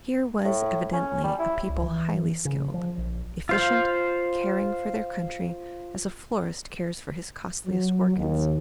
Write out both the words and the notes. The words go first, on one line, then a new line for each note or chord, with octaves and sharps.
Here was evidently a people highly skilled, efficient, caring for their country as a florist cares for his costliest orchids.
A2
C#4
G3
E4
C#2
E3
C#3
F3
A#1
F4 C5 F5
F#3
D#2